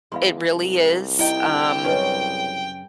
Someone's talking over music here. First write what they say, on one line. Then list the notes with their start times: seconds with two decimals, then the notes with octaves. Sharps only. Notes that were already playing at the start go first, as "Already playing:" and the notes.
it really is, um,
0.12 E2 G#3 F5 B5 C6
0.53 C2
1.19 D#4 E4 D#5 G5
1.84 F#2 C#3 C#4 D4 B4 D#5